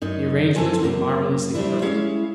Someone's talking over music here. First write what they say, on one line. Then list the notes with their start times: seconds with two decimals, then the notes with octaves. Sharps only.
The arrangements were marvelously perfect.
0.02 F#2 D#4 C#5
0.56 F#2 C4 A4 A#4 G#5 A5
0.82 F#2 C#3 A#3 A#4
1.54 G3 C4 D4 E4
1.82 G#3 C#4 E4 C#5 F5